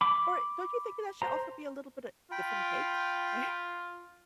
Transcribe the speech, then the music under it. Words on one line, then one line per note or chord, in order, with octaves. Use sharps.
Or don't you think that that should also be a little bit of give and take? Right?
B5 D6
C5 A#5
F4 G5 B5